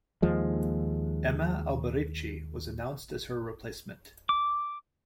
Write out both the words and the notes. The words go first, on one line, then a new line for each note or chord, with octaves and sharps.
Emma Alberici was announced as her replacement.
D#2 F3 G#3
D6